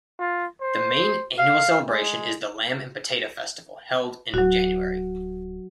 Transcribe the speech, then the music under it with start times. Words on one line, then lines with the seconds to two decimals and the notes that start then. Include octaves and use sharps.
The main annual celebration is the Lamb and Potato Festival held in January.
0.19 F4
0.61 C5
1.38 F5
1.88 G#3
4.34 D1 F#3 F#4